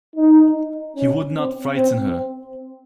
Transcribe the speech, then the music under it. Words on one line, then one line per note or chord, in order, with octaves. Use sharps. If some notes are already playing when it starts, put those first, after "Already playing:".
He would not frighten her.
D#4
C#4
C4
C4